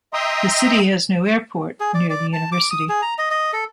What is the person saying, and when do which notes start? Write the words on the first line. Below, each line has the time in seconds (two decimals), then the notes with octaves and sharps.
The city has no airport, near the university.
0.14 D#5 E5 G5 A#5 C6 D#6
1.80 G#4
1.94 D5
2.10 D5
2.33 A5
2.52 D6
2.71 D#6
2.89 G#4
3.02 A#5
3.18 D#5
3.31 D#5
3.53 A4